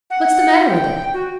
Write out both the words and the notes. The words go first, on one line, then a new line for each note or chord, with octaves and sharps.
What's the matter with it?'
F#5
G5
F#4